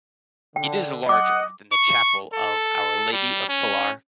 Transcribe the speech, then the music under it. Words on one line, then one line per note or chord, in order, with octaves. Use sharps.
It is larger than the Chapel of Our Lady of Pilar.
D3 G5
D#5 F#5 D6
C#6
A4
G3
C#4